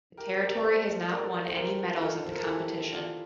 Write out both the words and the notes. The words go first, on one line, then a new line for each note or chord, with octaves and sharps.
The territory has not won any medals at the competition.
G4 A#4
C5
G4 A#4
D5
A4 C5
A4 C5
A#4 D5
C5
G4 A#4
F4 A4
C5
A#4
A4
E4 G4
D4 F4